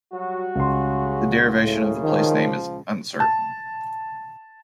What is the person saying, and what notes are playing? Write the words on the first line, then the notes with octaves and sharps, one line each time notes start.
The derivation of the place name is uncertain.
F#3 G3 F#4
C#2 C#3 C6
F#2 A2 C#3
D#3 F3
A5